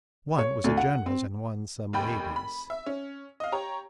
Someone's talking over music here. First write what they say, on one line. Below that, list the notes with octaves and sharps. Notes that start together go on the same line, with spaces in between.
One was a general's and one some lady's.
C#5
D2
F#5
C4
F1 D#2 G5 B5
B5
E5
C#4
D#5 F5
G4 C#5 A#5